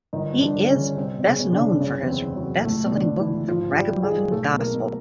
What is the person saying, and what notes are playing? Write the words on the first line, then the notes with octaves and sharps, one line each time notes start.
He is best known for his bestselling book "The Ragamuffin Gospel".
G1 D#3 D#4
G2
D3 D4
G1
C#3 C#4
D3
C2 C3 C4
B2
C#3 C#4
B2
D3 D4
C2
F#1 C#3 C#4
E2
C3 C4
F#1
F#3
C3
C#2 A2 A3
B2
D3 D4
B2
E3 E4
C#2
G#1 F3 F4
G2
G3 G4
G#1
G#3 G#4
D#3
B1 A3 A4
B2
A#3 A#4
B2